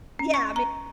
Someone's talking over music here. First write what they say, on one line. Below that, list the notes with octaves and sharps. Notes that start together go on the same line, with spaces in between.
Yeah, I mean,
C#4
C#6
A#5